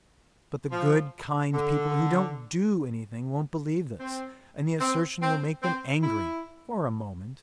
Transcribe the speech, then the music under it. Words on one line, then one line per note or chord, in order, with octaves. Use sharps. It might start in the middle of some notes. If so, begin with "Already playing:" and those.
But the good, kind people who don't do anything won't believe this, and the assertion will make them angry--for a moment.
F3
D3
C4
C4
C4
C4
E4